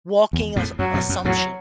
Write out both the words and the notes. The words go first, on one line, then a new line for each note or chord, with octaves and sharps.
walking assu assumption.
E2
E2 A2
F#2 F#3
F#2 B2
F#2
E2 A2 F#3